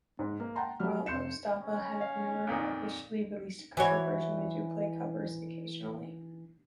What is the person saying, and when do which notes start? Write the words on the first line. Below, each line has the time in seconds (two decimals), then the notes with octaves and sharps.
While Ostava have never officially released a cover version, they do play covers occasionally.
0.19 G#2
0.40 A#3
0.55 F#5 G5 A5 A#5 C6
0.80 F#3 G3 F6
1.06 F1 C6 G6 C#7 E7
1.60 C#4
2.01 F5
2.47 F2 A#2 D#3
3.77 E3 F#4 C#5